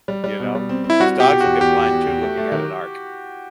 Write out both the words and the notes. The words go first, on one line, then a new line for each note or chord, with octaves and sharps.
You know? 'Cause dogs will get blind too looking at an arc.
G3
G3
B2
G3
C4
C4
E4
G3 F#4
B2 G4
B2
F#4
E2
E2 G4
E2
E2
E2
A3
A3
D#3